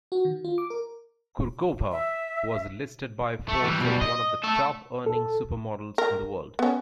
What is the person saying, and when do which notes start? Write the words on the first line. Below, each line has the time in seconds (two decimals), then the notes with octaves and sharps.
Kurkova was listed by Forbes as one of the top-earning supermodels in the world.
0.12 F#4
0.25 D#3
0.45 F4
0.58 D6
0.70 A#4
1.92 E5
3.49 A3
3.64 E3 G3
3.80 B2 G3
4.01 D#5
4.43 A4 E5
5.06 A4
5.98 A#4
6.59 B3 C#4